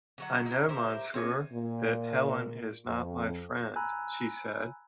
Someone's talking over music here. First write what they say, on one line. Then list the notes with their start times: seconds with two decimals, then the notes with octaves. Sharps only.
"I know, monsieur, that Helene is not my friend," she said.
0.18 D3 F#3 F#5
0.46 D#4 E4
0.69 G4 A#4 C5 E5
1.14 C4 C#5 G#5
1.53 A#2
2.87 F2
3.76 G#5 A#5 B5 E6 F#6